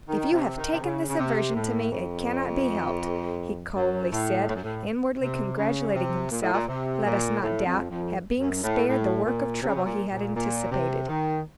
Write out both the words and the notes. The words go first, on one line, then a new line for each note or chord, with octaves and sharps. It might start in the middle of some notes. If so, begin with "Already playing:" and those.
"If you have taken this aversion to me, it cannot be helped," he coldly said, inwardly congratulating himself, let us not doubt, at being spared the work of trouble he had anticipated.
D#3
C3
D#3
C3
C#3
C#3
C3
A2
F2
F#2
A2
A2
F#2
A2
C3
C#3
C3
A#2
A2
A#2
C3
A#2
A2
F2
F2
F#2
A2
A2
A#2
C3
C#3
C3
A#2
A#2
A#2
C3
D#3